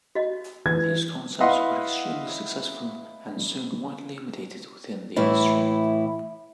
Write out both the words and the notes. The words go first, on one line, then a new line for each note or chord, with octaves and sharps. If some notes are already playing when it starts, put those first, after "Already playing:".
These concepts were extremely successful and soon widely imitated within the industry.
F#4 D#5
E3 G#6
E4 B4 D#5 F5 F#5 C6
A2 E3 E4